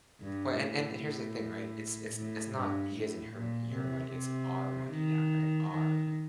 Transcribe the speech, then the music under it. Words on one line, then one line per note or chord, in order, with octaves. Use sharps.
Well and and here's the thing. Right? It's it's it's not his and her your money. It's our money now, right, our.
G2
A2
A2
G2
A2
A#2
C3
C3
D#3
D#3